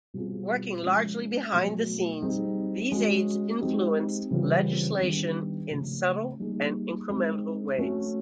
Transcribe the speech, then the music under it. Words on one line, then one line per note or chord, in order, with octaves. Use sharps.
Working largely behind the scenes, these aides influenced legislation in subtle and incremental ways.
B2 G3 C4 F4 G#4
F3 G#3 C#4 F4
B2 F#3 A3
G3 C4 D#4 G#4
G#3 C#4 F#4
G#3 C4 D#4 G4
C#3 E3 G3 C4 F4
D#3 G3 B3 D4 G4
C#3 F3 A3
G3 A#3 D#4 G#4
G#3 C4 D#4
A3 C#4 F#4